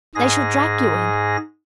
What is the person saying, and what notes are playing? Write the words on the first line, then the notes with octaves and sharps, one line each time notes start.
"They shall drag you in."
G#2 G#4 A#6